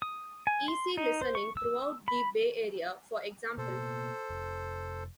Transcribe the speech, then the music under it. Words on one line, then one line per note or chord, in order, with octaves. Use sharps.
Easy listening throughout the Bay Area, for example.
D#6
G#5
C6
D#4
C5
C#6
E6
B5
B2 A#3 A4 C5
F1